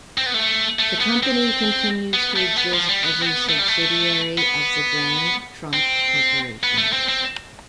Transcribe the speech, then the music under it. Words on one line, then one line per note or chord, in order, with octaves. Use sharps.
The company continues to exist as a subsidiary of the Grand Trunk Corporation.
C4
B3
A3
A3
B3
C4
B3
A3
B3
F3
G3
B3
C4
B3
A3
G3
A3
B3
C4
B3
A3
C4
C4